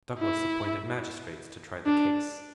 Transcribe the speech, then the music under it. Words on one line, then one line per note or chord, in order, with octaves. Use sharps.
Douglas appointed magistrates to try the case.
E4
D4